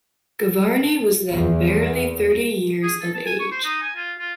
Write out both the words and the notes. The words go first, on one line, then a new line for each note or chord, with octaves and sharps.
Gavarni was then barely thirty years of age.
E2
G#4
A4
A5
G#5
C#6
C5
D#4
G#5
F4
F4